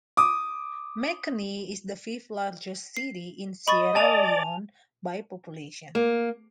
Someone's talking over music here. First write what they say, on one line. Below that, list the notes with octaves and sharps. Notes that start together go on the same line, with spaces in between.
Makeni is the fifth largest city in Sierra Leone by population.
D6 D#6
C7
D#5 B5 C#6 A6
D5 G#5 A5 F7
A#3